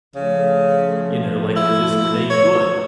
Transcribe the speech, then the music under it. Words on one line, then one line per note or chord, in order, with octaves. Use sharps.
you know, like, if this Renee Good,
C#3 F3 A3
E4
C#5